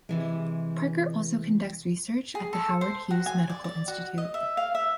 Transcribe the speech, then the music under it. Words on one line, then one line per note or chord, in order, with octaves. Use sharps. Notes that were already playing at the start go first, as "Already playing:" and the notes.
Parker also conducts research at the Howard Hughes Medical Institute.
C3 E3 G#3
G#4
A4
C5
F#4
G#5
D5
D5
F#4
D#5
E5
F5
E5